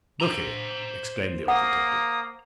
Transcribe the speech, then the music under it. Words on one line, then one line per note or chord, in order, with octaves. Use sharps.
"Look here!" exclaimed the old detective.
C5 A#5
A#3 F#5 D#6